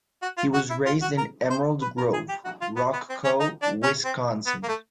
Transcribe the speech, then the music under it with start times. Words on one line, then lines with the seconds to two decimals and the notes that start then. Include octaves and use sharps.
He was raised in Emerald Grove, Rock Co, Wisconsin.
0.22 F#4
0.38 F4
0.54 F#4
0.70 E4
0.86 F4
1.02 F#4
1.18 A#4
1.50 C5
1.82 B4
1.98 A#4
2.13 G#4
2.29 G4
2.45 F#4
2.61 F4
2.76 B3
2.93 B3
3.09 C4
3.24 C#4
3.40 D#4
3.62 D4
3.83 C#4
4.04 C4
4.46 B3
4.63 A#3
4.68 A3